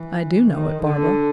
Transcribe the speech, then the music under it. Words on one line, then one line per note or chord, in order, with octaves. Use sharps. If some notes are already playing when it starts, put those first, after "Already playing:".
"I do know it, Barbara."
Already playing: E3
D#3
D3